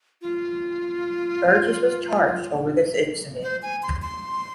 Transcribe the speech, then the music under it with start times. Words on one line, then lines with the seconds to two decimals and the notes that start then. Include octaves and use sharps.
Burges was charged over this incident.
0.22 F4
3.43 C5
3.62 G#5
3.83 C6
4.02 C6